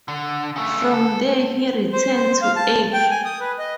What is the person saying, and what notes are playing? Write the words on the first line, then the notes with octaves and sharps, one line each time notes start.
From there he returned to Acre.
D3
C#3 A3
A4
C5
C5
F5
A5
G5
G#5
D#6
B4
D#5